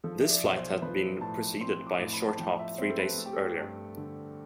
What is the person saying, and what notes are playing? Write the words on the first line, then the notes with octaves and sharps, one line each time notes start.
This flight had been preceded by a short hop three days earlier.
F3 A4
E5
D5
B1
C5
F3 B4
A2 A5
C4 C6
D6
A2
B5
A5
F3 G5
E5
C4 C5
A4
B4
A3 A4
G4
A4
G2
D3